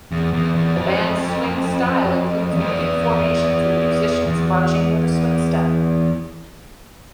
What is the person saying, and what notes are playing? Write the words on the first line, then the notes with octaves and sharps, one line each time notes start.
The band's swing style includes moving formations and musicians marching with a swing step.
E2
E2
E2
F2
E2
F2
E2
E2